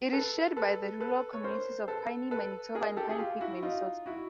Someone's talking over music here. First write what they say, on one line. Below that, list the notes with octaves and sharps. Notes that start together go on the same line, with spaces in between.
It is shared by the rural communities of Piney, Manitoba and Pinecreek, Minnesota.
A4 B4
A4 B4
A4 B4
C#5
A#4 C5
A4 B4
A4 B4
G#4 A#4
G4 A4
G#4
F4 G4
E4 F#4
D#4 F4
E4 F#4